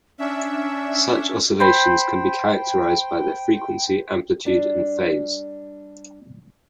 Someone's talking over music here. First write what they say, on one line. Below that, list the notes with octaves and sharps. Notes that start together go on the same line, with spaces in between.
Such oscillations can be characterized by their frequency, amplitude and phase.
C#4 D4 E5
C5 G5 B5
G3 D4